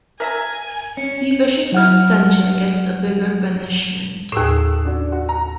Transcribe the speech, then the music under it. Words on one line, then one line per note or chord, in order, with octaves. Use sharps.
He wishes that Sanjay gets a bigger punishment.
A#4 E5 G#5 A#5
C#4
F#3 F#5 F6
D#2 A2 G#4 E6 E7
D4 F#4
F#4
A#5